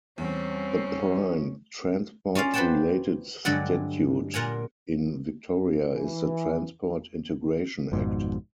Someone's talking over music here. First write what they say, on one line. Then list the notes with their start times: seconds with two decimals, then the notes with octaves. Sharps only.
The prime transport-related statute in Victoria is the Transport Integration Act.
0.18 E2 G3 C4 C#4
2.35 C#4 F4 D5 F5
2.54 B4 C5 D5 F#5 G5 A5
3.45 G2 D3 F#3 G#3 D5 F#5
4.34 A#2 A#4 F#5 G#5
5.94 E3
7.92 G#1 F2 G#2 B2